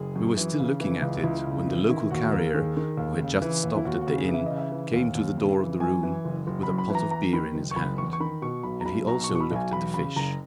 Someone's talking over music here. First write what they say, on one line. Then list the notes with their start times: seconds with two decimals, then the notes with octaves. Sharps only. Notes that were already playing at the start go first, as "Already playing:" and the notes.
We were still looking at it, when the local carrier, who had just stopped at the inn, came to the door of the room with a pot of beer in his hand, and he also looked at the fish.
Already playing: F#1 G#4
0.16 F#2
0.37 E3
0.59 C#3
0.80 E3
1.02 C#2
1.24 C#2 E4
1.46 C#3
1.67 E3
1.89 D#3 E4
2.11 D#2 F#4
2.33 D#2 A#4
2.54 D#3 G#4
2.77 D#3
2.98 D#2
3.20 C#3
3.42 E3
3.64 D#2
3.76 E4
3.85 D#2 F#4
4.01 F#4
4.07 C#3
4.18 G#4
4.28 E3
4.34 E5
4.46 C#3 D#5
4.58 E5
4.72 E3
4.94 D#2
5.15 D#2
5.37 C#3
5.60 E3
5.80 F#2 G#5
6.03 E3
6.25 F#1
6.47 F#1
6.63 B5
6.68 F#2
6.78 B5
6.90 E3
6.95 A#5
7.11 E2 A#5
7.33 D#3 B5
7.55 F#1
7.71 C#6
7.76 F#1 B5
7.98 E2 C#6
8.13 C#6
8.20 D#3 B5
8.42 B2 C#6
8.63 B1 B5
8.81 A#5
8.85 B1 B5
9.07 B2 A#5
9.24 C#6
9.29 B2
9.35 C#6
9.40 B5
9.51 B1 G#5
9.72 E2 B5
9.94 C#3 B5
10.16 F#1 A#5